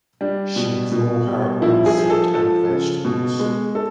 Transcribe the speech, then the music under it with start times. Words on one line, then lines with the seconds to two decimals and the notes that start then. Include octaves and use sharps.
She grow her own fruit and vegetables.
0.21 G3 D4
0.56 B2
0.92 B2
1.27 G3
1.62 F3 E4
1.86 G#4
1.98 F3
2.10 A4
2.34 F3 A4
2.69 C#3
3.05 B2
3.40 G#3
3.75 A4